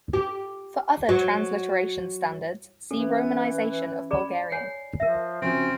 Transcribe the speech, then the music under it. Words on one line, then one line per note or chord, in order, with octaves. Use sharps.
For other transliteration standards see Romanization of Bulgarian.
G4
F#3
E3 C#4 A4
G#4 D5 B5
C#5 G#5 C7
F3 A#4 E5
C#3 F3 C4 C#4 F#4